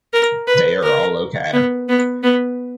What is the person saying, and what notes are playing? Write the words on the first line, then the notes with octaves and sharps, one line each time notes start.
They are all OK.
A#4
B4
A#4
B3
B3
B3